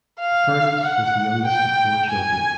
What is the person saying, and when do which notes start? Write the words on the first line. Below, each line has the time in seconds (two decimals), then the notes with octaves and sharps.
Furness was the youngest of four children.
0.20 F5
0.83 F#5
1.46 G5
2.10 G#5